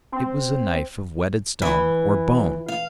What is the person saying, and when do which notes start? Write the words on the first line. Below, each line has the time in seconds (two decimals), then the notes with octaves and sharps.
It was a knife of whetted stone or bone.
0.12 C4
1.62 E3
2.68 F5